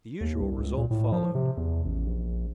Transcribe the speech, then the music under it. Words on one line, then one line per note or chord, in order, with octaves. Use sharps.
The usual result followed.
D#2
C2
C#2
A#2
A2
F3
C3
E2
A1
A#1